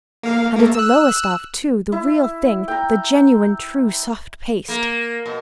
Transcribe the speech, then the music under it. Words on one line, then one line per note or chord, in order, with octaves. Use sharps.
And it's a Lowestoft, too, the real thing--the genuine, true soft paste!
A#3 F5
A3 A#3
E6 F#6
E4
G5 A#5
A#3
B2